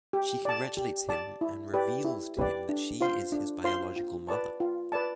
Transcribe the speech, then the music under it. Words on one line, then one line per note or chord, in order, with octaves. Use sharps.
She congratulates him and reveals to him that she is his biological mother.
G4
D5 A5
G4
D5 A5
E4
G4 B4 D5
E4
G4 B4 D5
D4
F4 C5 F5 C6
D4
F4 C5 F5 C6
F4
B4 D5 A5
F4
B4 D5 A5